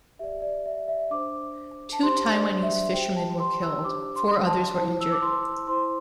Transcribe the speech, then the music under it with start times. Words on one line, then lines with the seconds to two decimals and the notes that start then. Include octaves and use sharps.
Two Taiwanese fishermen were killed; four others were injured.
0.19 G4 D5 E5
0.42 D5
0.66 E5
0.88 E5
1.11 D4 C5 D6
1.92 A5
2.03 D4 G4 C5 C6
2.32 D5
2.63 E5
2.93 G4 C5 G5
3.16 A5
3.40 C6
3.62 E6
3.84 D4 G4 C5 D6
4.16 C6
4.47 A5
4.76 E4 C5 A5
5.01 E6
5.12 D6
5.22 C6
5.67 E4 C5 C6